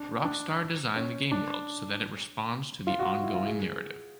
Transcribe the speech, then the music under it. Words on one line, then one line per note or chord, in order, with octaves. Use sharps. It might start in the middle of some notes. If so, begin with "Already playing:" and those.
Rockstar designed the game world so that it responds to the ongoing narrative.
Already playing: D4
D4
C#4
D4
F4
F#4
E4
F4
G#4